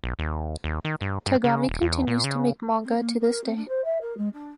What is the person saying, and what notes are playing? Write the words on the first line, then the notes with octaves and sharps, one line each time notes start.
Tagami continues to make manga to this day.
B1
D#2
D#2
D#3
G2
G2
C#3
D#1
E2
A#2
C#3
C4
A#3
A#4
C4
D4
C5
E5
A#4
G#3
D4